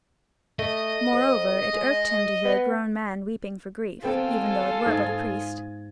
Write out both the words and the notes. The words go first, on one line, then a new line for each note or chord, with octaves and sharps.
Moreover it irked him to hear a grown man weeping for grief, even though it were but a priest.
A3 D#5
F2
G#3
B3
B3 C4 F4 A4 G5 G#5
G#2 D#6 G#6 A6